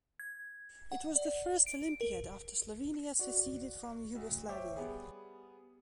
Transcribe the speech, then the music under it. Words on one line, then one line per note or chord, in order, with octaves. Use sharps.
It was the first Olympiad after Slovenia seceded from Yugoslavia.
G#6
F#5
D5
D7
A#4
F#4 D5
D2
C5 C#5 E5 G5 D6
G3 B3 G#4